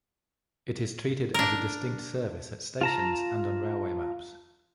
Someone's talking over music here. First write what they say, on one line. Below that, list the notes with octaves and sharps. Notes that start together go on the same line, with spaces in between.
It is treated as a distinct service at stations and on railway maps.
D4 A#4
F4 A5 A#5